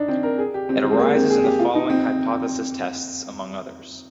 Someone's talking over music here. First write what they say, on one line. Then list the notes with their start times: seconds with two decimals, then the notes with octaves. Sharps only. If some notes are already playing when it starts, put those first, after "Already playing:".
It arises in the following hypothesis tests, among others.
Already playing: D4 D#4
0.08 C4
0.23 A#4
0.38 G#4
0.54 G4
0.69 C4
0.84 G#3
0.91 C4
0.99 A#3
1.15 C4
1.30 G#4
1.44 G4
1.59 F4
1.75 D#4
1.90 C4